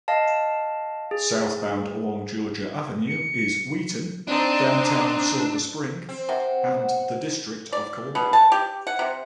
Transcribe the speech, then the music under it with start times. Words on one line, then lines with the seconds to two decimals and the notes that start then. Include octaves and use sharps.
Southbound along Georgia Avenue is Wheaton, downtown Silver Spring, and the District of Columbia.
0.08 D#5 F5 A5
1.11 G#4
3.08 C#7
4.28 C4 D4 D#4
6.09 C4
6.29 C3 F#5
7.72 D5
8.15 B2
8.33 A5
8.52 G4
8.87 F#5
8.99 C3